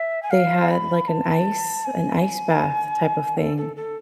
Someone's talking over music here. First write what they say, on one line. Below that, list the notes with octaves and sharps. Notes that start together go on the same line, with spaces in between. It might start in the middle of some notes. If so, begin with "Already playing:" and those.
they had, like, an ice an ice bath type of thing.
Already playing: E5
G#5
F5
B5
A5
G#5
A4
A4
A4